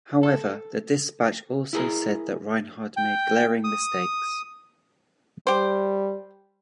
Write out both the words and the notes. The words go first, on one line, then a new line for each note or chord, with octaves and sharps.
However, the Dispatch also said that Rinehart made glaring mistakes.
A4
E4 G#4 A#4
G5
D#6
G3 G4 C5